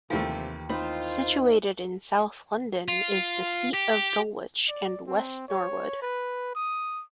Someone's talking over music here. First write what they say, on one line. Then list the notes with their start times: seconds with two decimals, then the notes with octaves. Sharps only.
Situated in south London is the seat of Dulwich and West Norwood.
0.10 D#2 C3 E3 F3 G3 A3
0.69 C4 D#4 F4 C5 B5
2.88 F4
3.73 G4
4.69 D5
5.07 C4
5.48 C#5
6.02 B4
6.55 D#6